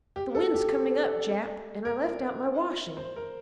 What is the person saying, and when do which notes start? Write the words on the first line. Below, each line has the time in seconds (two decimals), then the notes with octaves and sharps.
"The wind's coming up, Jap, and I left out my washing."
0.16 G4
0.35 A4
0.54 G4
1.85 A#4
2.97 C5
3.16 A#4